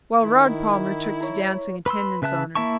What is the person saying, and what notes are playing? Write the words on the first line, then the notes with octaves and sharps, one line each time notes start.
Well, Rod Palmer took to dancin' attendance on her.
D#3 E4
A#4 C#5
B4 B5 C6 E6
C#3 B4 E5 A5 F#6
A#3 E4 E5 A5 C#6